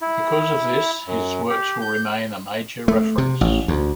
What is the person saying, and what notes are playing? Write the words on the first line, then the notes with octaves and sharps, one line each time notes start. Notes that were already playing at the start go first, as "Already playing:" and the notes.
Because of this, his works will remain a major reference.
E4
F#2
G4
G6
A3
C3
A1
D2